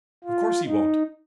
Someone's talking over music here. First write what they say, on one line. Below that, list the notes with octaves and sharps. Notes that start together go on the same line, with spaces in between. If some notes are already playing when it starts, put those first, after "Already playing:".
Of course he won't.
F4
D#4